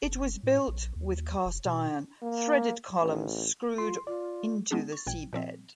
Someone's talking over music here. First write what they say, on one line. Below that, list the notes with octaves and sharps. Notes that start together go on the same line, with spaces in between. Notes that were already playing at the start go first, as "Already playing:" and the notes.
It was built with cast iron threaded columns screwed into the seabed.
F#1
A2
A#1
D#2
F1
B2
A#3
A1
F4 C6
F4 D5
G#3 B3 C#4 D4 G#4
C#6 A6
A1 A#2 G5 G#6
A#2 F3 C4